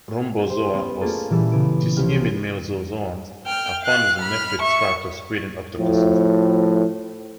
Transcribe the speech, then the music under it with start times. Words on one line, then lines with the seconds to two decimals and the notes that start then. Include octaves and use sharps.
Rhombozoa, or dicyemid mesozoans, are found in the nephrid tracts of squid and octopuses.
0.47 G4 C5
0.73 B3 C#4
1.01 A3 A#3 C#4 F4 G#4 A4
1.30 A#2 E3 G3 A4 E6
1.52 C#3 B3 E4 D7
1.97 C2 F3 G3 C#4 G4 F6
3.46 G5 F6
3.82 F5 F#6
4.18 B5 F6
4.62 E5 C#6
5.78 A2 F3